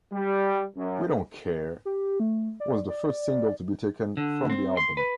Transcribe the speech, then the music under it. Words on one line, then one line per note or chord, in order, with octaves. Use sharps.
"We Don't Care" was the first single to be taken from the album.
G3
F#2
G4
A3
D5
D5
D3
C4
C6
B4